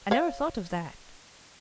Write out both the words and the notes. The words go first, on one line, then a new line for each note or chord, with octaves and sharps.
"I never thought of that."
C#5 F5